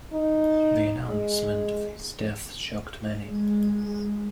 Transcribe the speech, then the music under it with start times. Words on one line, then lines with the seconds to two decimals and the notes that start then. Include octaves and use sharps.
The announcement of his death shocked many.
0.13 D#4
1.08 G#3
3.23 G#3